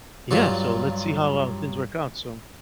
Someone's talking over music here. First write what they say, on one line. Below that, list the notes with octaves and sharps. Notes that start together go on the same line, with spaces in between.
Yeah, so let's see how our things work out, so
G2 F#3 F4